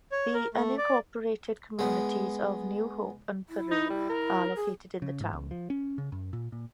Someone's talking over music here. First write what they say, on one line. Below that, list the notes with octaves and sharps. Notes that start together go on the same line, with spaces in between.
The unincorporated communities of New Hope and Peru are located in the town.
C#5
A#4
A3
D5
G#3 B3
E4
D#4
G3
A#4
G#4
C#3
G#2
C#2
F3
C#4
C#3
F#2
A#2
A#2